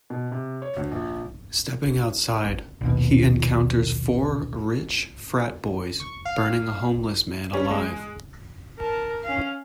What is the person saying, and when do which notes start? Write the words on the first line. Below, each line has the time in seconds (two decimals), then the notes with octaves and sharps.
Stepping outside, he encounters four rich frat boys burning a homeless man alive.
0.10 B2
0.31 C3
0.62 C#5
0.76 D2
0.92 A#1
2.81 A#1 D#2 B2
6.00 C#6
6.25 F5
7.53 G3 C#4
7.71 G#3
8.79 A#4 A5
9.24 C#4 F5